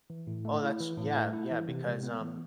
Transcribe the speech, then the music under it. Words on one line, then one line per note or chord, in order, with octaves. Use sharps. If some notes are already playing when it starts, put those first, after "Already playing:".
Oh, that's Yeah, yeah, because, um,
E3
A2
A3
E4
E3
A2
A3
E4
E3
C3
G#3
B3
E3